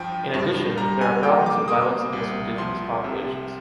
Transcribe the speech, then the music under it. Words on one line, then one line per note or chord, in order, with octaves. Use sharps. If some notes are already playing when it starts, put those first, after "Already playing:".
In addition, there are problems of violence against indigenous populations.
Already playing: G2 F3 G5
G2
G3 A#5
G#5
A#3 G5
D6
A#3 D#6
C2
F3 C6
C3